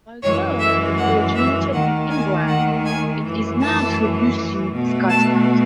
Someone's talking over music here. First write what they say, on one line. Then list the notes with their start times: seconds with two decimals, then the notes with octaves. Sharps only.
Although it originated in England, it is now produced in Scotland.
0.22 F#2 E3 G#3 C#5
0.60 E5
0.97 F#5
1.35 E5
1.73 D#2 D#3 A3 F#5
2.10 G#5
2.48 F#5
2.86 G#5
3.23 F#2 E3 A3
3.61 A5
4.74 B2 A3
5.10 A5